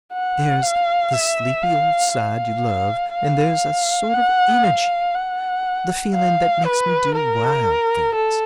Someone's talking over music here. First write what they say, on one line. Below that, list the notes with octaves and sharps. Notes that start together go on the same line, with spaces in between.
There's the sleepy old side you love an' there's a sort of energy--the feeling that makes me do wild things.
F#5
F5
E5
F5
F5
F5
F#5
F5
F#5
F5
B4
A#4
A4